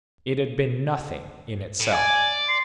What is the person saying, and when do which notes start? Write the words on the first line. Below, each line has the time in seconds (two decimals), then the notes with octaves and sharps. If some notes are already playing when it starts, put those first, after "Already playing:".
It had been nothing in itself.
1.80 A2
1.93 D5 G#5
2.49 C6